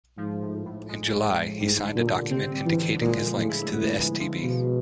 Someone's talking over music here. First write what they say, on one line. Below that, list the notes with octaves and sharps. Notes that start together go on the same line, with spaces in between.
In July, he signed a document indicating his links to the StB.
G#2 F3
A2
A2
G#3
F3
A2
G#2 G3
D3
A#2
D3
C3 C4
G3
E3
D3
A#2 G#3
F3
A2
E4
A2 B3
G#3
F3
B2 F3